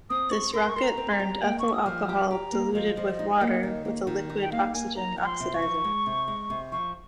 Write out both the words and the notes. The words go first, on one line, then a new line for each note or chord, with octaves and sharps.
This rocket burned ethyl alcohol diluted with water with a liquid oxygen oxidizer.
C4 D#6
C4 C#6
A#4 C6
C#6
A#4 C6
A#5
C4
C6
A#5
G4
A#3 G5
C#6
A#3
D#6
F3 F6
G4
G4 A#5
A#3
F3 D#5
F3
D#4
A#3
D#3
A#3
D#3
D#4
G5
A#3 F5
A#3 G#5
D#4 A#5
F3 A#5
C6
C3
C#6
F3
G#3
C3
G#3
C3
F3 C#6